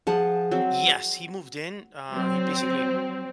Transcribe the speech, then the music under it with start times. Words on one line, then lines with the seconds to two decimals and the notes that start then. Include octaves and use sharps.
Yes, he moved in. Uh, he basically
0.07 F3 G#4 F#5 A5
0.51 F#3 C4
2.12 F#3 C4